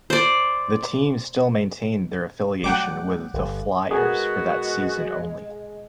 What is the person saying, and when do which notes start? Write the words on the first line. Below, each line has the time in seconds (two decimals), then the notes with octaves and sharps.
The team still maintained their affiliation with the Flyers for that season only.
0.10 C5 D5
2.64 F#3 G3 A3 F#5 G5 D6
3.33 G1
3.91 G#3 B3 F#4 G#4 A#4 D#5 G#5